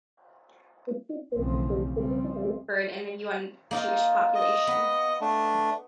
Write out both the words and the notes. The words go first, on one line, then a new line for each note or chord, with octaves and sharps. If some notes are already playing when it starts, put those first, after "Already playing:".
The two censuses significantly differed in the view on Jewish population.
B1 C#3 E3 F3 A3 C4
C#3 F3 G3 C4
A#3 D#4 F4
D#5
B3
A3 D4